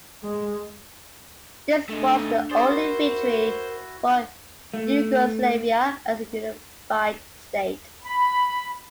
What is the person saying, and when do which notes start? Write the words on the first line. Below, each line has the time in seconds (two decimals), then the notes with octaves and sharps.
This was the only victory for Yugoslavia as a unified state.
0.23 G#3
1.90 A3 D4 D#4
2.51 G#4 C5 D5
2.68 E4 F#4 A#4
4.74 A3
8.03 B5